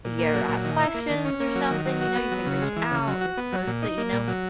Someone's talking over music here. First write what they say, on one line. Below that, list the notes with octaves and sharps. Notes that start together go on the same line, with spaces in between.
if you ever have questions or something, you know, you can reach out, just post it, you know?
A#2
A#3
F#3
A#2
D#3
E4
A#3
D#3
C#4
A#3
F#3
D#3
F#3
F#4
B3
F#3
C#3
G#3
E3
C#3
F#3
F#4
B3
F#3
A#2
D#4
A#3
A#2
F#3